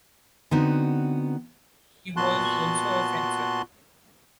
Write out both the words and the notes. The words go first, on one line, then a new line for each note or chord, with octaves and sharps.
He was also a fencer.
D3 B3 C4 D#4 F#4
A#2 B3 F#4 A5 C6 F#6